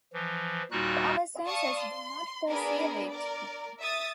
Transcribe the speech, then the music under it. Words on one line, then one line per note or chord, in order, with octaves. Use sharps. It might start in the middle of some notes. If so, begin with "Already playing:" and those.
Our senses do not perceive it.
E3 F3
D#2 A#2 G3 D#4 F#4 F#6
D5 F5 A5 C#6 D#6
C6
B3 D4 G#4 A#4 B5
A#4 D5
E5 D#6 A6